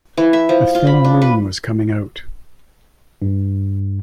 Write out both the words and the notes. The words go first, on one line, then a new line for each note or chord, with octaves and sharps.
A thin moon was coming out.
E3
E5
F3
F4
B5
D4
B4
G2